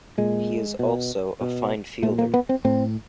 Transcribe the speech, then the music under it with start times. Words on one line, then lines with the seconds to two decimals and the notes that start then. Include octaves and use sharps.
He is also a fine fielder.
0.18 A#2 G#3
0.79 B2
1.41 B2
2.03 A#2 A3
2.18 A#3
2.34 B3
2.49 C4
2.65 A2 C4